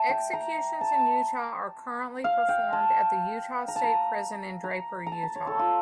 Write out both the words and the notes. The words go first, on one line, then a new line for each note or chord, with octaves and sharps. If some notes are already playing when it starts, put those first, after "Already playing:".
Executions in Utah are currently performed at the Utah State Prison in Draper, Utah.
Already playing: E5 A5
G5
A#5
A5
F5
G5
A5
A#5
A5
A#5
A#5
A#5
A5
A5
C#5
A4
F4